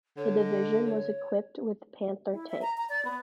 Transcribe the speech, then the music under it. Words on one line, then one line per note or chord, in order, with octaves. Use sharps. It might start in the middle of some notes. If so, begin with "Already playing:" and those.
The division was equipped with Panther tanks.
D3 C#5
D#5
C#5
E4
E5
A#5
A#5
D5
B3